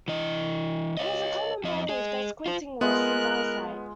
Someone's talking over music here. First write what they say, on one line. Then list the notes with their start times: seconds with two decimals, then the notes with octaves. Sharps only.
It is a common belief that squinting worsens eyesight.
0.08 E3 D#5
0.97 C#5 D#5
1.64 F2 D#5
1.89 G#4 D#5
2.46 F4 C5
2.81 G#3 B3 F4 A#4 F#6